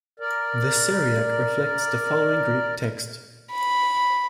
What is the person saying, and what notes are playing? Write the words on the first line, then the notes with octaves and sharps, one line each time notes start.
The Syriac reflects the following Greek text.
A#4 D5
B5